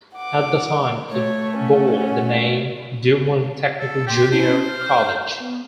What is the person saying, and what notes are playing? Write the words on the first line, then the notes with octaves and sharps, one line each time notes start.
At the time, it bore the name Doowon Technical Junior College.
F#5 D6
A3 C#5
C#4 F#5
A4
G4 G5 C6
C#4 E4 C5 A5
F6
B3